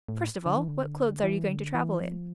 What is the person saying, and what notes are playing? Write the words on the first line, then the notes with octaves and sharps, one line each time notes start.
"First of all, what clothes are you going to travel in?"
A2
D3
E3
D3
E3
D3
E3
F3